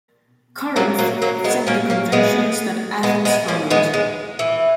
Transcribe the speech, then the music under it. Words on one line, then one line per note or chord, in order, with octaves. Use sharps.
Corinth set the conventions that Athens followed.
F#3 A#3
F#3 A#3
F#3 A#3
G#3 B3
A#3 C#4
A#3 C#4
G#3 B3
G#3 B3
G#3 B3
A#3 C#4
G#3 B3
G#3
E3